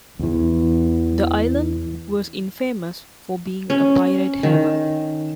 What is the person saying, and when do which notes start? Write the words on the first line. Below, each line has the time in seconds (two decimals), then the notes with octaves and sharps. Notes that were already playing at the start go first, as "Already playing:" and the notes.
The island was infamous for being a pirate haven.
0.19 E2 E3
3.70 C#4
4.43 D#3